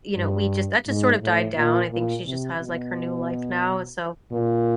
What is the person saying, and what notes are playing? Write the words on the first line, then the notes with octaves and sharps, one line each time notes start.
you know, we just that just sort of died down, I think she just has like her new life now, so
G2
G#2
A2
A#2
A#2
C3
B2
A#2